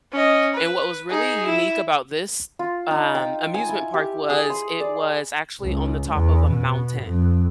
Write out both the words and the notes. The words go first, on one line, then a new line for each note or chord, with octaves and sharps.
and what was really unique about this, um, amusement park was, it was actually on the top of a mountain.
C#4 D#5
B4
D#4 G#4
E4
F4
D#4
G5
G#5
E4
G4
G#4
C6
D5
C#2
E2
B2
F2